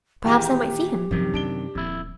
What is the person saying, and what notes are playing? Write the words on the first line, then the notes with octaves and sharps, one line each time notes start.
'Perhaps I might see him.
D#2 A#2 E3 G#3 G4 G5 A#5
F#2 C3 D#3 F3 F#3
F#3 D4 D7 G7
D#1 F2 E4